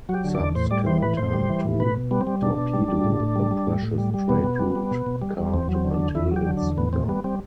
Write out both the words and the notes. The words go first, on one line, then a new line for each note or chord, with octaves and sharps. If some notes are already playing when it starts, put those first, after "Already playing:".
Subs can attempt to torpedo the precious trade route card until it's gone.
F#3 F#4
G4
D3
E2 D5
A2 C5
G3 D5
E3 C5
A2 B4
A2 C5
G3
E3
A2
B2 B4
B2
G3 B3
C4
G3
B2 D4
B2
G3
G3
A2
A2
G3
G3
A2
A2
G3
G3
B2 B3
B2
G3
G3
B2
B2
G3
G3
E2 C4
F#3
C4
D3
D4
E2
E2 E4
F#3 G4
D3
D4
E2
A2 B3
A2 C4
G3 B3
G3 C4